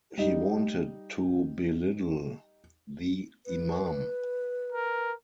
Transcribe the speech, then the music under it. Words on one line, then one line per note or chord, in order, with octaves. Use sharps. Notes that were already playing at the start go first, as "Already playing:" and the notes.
He wanted to belittle the Imam.
G3 D#4
B4
A#4